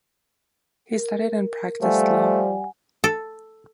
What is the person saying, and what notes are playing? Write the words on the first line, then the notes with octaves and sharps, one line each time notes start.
He studied and practiced law.
A#4
F3 G3 A3 F#5 G#5
A4